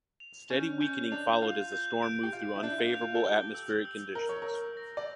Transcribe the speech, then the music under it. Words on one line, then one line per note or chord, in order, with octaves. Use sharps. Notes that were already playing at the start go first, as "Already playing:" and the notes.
Steady weakening followed as the storm moved through unfavorable atmospheric conditions.
F7
C#4 G6
C#4 G6
D4 F7
F4 F7
G6
D7
G4
F4 G6
E4
D4 G6
E4
F4
F7
F4
A4
G4 G7
E6
E6
A#4 G7
C#5
A#4 E6
A#6
D5